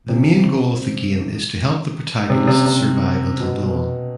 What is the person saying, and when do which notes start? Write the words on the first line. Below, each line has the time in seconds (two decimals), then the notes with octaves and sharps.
The main goal of the game is to help The Protagonist survive until dawn.
0.09 C3
2.30 C3
2.47 C3
2.66 C3
3.40 B2
3.63 B2